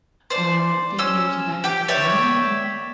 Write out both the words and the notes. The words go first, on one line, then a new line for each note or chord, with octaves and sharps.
uh, few years back, I
C5 D5
C#4 E6
G4 G5
C#5 D5 E5 G5